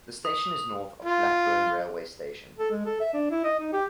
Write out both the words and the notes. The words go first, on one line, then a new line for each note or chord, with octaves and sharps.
The station is north of Blackburn railway station.
D#6
F4
A4
G#3
A4
E5
D4
E4
D#5
D#4
G4